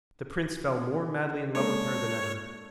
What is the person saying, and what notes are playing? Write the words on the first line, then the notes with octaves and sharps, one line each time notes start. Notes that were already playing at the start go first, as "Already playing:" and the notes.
The prince fell more madly in love with her than ever.
G#3 A#3 C4 D4 A4 A#4 C#5